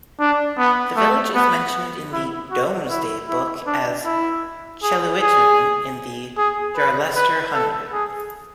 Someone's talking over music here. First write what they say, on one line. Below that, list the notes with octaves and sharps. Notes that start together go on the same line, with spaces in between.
The village is mentioned in the "Domesday Book" as "Cheluitun" in the "Yarlestre" hundred.
D4
B3
A3
B3
E4
F#4
E4
E4
D4
E4
G#4
G#4
G#4
B4
B4
A4
G#4